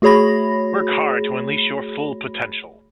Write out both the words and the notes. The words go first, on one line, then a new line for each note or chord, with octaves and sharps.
Work hard to unleash your full potential.
A3 F#4 G#4 C#5 B5 A#6